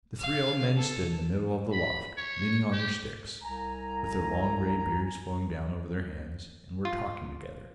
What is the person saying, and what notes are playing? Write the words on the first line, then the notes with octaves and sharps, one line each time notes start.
The three old men stood in the middle of the loft, leaning on their sticks, with their long grey beards flowing down over their hands, and were talking together in low voices.
F5
A4
B5
C#5
G4
C2 G#5 A#5
F4